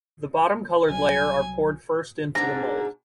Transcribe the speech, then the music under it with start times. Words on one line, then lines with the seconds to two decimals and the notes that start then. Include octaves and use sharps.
The bottom coloured layer are poured first into the mold.
0.90 C2 F#3 G#5
2.35 G#2 B2 D4 A#5